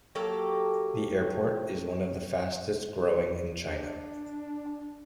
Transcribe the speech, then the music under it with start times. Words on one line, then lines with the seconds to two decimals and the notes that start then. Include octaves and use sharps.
The airport is one of the fastest growing in China.
0.15 F#3 A#3 G4 A4
3.68 D4